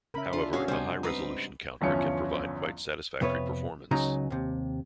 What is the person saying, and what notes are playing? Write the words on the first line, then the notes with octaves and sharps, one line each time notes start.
However, a high-resolution counter can provide quite satisfactory performance.
C#3 C#4 A#4 E5 B5
D4 F4
C#4 F#4 G#4 E5 F5
E2 C3 G3 D4 C5 G#5
G#2 C4 B4 A#5 D#6
G1 E2 E3 F3 C#4 C#7
F2 C3 B3 B4 C#5
C#2 C#3 F#3 D#4 A#5
D#2 C3